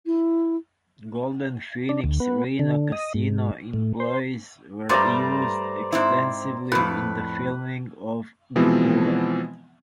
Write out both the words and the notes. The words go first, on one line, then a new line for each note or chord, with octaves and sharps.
Golden Phoenix Reno casino employees were used extensively in the filming of "The Cooler".
E4
D4
D2
B3
D3
D#5
G#2
A2
C5
G2 G3 A3 C5 D5 A#5
G#2 C4 E4
F2 A2 B4
B2 E3 F3 G#3 B3 C4